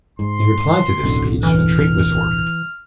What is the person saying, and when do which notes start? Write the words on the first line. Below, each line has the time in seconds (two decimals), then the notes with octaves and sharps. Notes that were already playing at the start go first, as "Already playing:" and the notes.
In reply to this speech a treat was ordered.
0.19 G#2 C6
1.03 D1 B1 F#2 D3
1.43 E3 F6